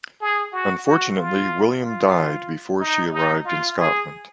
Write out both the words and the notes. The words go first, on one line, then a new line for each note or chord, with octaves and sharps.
Unfortunately, William died before she arrived in Scotland.
G#4
F#4
F#4
F4
F4
D#4
D#4
F4
G#4